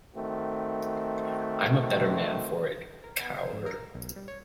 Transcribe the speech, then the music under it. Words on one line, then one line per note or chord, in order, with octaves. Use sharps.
I'm a better man for it, Kaur.
D#3 A3 C4 F#4
A#4
B3
C5
G#2
A#4
B1
G3
C#5